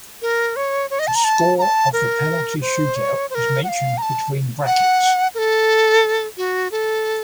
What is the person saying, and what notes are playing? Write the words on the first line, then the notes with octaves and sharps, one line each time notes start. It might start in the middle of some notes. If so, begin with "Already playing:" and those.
The score of the penalty shootout is mentioned between brackets.
A#4
C#5
C#5
D#5
A5
A#5
A5
A#5
A5
A#4
C5
C#5
C5
A#4
F#5
F5
A#5
A5
F#5
A#4
A4
F#4
A4